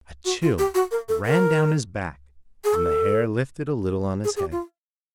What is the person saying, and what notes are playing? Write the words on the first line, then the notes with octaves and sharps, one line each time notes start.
A chill ran down his back and the hair lifted a little on his head.
F#4
F4
G4
F#4
A#4
A4
A#4
G#4
A4
G#4
G#4
G4
F4